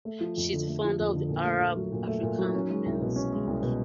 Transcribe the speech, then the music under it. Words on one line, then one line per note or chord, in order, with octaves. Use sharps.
She is founder of the Arab-African Women's League.
A3
F3
F2
D3
A3
F3
F2
D3
A#2
A3
A#2
F#3
A#2
A3
A#2
F#3
C#4
G#3
C2
B2
C#4
G#3
C2
B2